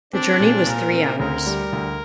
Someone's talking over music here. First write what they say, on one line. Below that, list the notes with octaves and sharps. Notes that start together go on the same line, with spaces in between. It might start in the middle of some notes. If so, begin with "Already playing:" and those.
The journey was three hours.
C4 D4
A#2
A#2 A#4
C4
D2 A#4
G3
D2